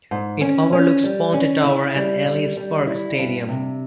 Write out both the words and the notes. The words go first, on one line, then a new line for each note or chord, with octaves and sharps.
It overlooks Ponte Tower and Ellis Park Stadium.
G#2
C#4
C#4
G3
C#4
E4
G3
G3
G3
E4
G2
C3